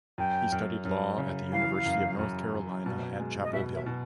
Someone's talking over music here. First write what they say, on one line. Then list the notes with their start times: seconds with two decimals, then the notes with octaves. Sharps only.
He studied law at the University of North Carolina at Chapel Hill.
0.18 F#2 G5
0.52 F#2
0.85 F#2
1.18 C#3
1.52 E3 F5
1.86 F#2
2.19 F#2
2.53 F#2
2.86 B2
3.19 G#3
3.43 D#5
3.53 B2 E5
3.75 E5
3.86 B2